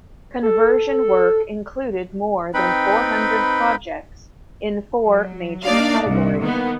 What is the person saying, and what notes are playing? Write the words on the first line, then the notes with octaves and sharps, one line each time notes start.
Conversion work included more than four hundred projects in four major categories.
A4
C4 D#4 B4 G5 B5
F#3
A#3 D4 D#4 D5 F5
C2
D#3 A#3 B3